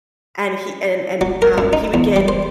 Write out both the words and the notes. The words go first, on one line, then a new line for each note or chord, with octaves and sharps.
and he and and, um, he would get
F#3
A#4
F#2
D#4
E2
G3
C5